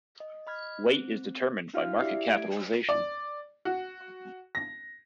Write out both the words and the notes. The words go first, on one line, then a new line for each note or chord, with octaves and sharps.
Weight is determined by market capitalization.
D#5
D#5 B5 F6 G#6
C4
D4 E4 F#4 F5 F6
E4 G4 D5 E5
A3 G#6 D7
D5
F#4
A#6